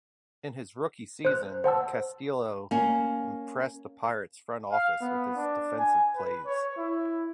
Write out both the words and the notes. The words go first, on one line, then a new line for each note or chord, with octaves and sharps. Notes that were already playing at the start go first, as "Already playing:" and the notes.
In his rookie season, Castillo impressed the Pirates front office with his defensive plays.
C5 F#6
C5 F#5 A5 E6
A#3 C#4
F5
B3
D4
G#5
B4
C#5
E4